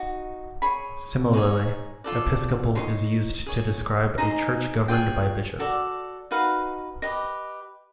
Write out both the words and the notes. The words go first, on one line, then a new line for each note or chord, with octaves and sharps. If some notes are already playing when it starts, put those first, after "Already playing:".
Similarly, "episcopal" is used to describe a church governed by bishops.
Already playing: D#4 F#4
G#4 C#5 B5
D#4 G#4 C#5
F4 A4 D5
D#4 G#4 C#5 C6
G#4 C#5
D#4 G#4 C5 D#5 A#5
F4 G#4 C#5 G5
F#4 A4 D5
D#4 F#4 B4 F5
G4 B4 D#5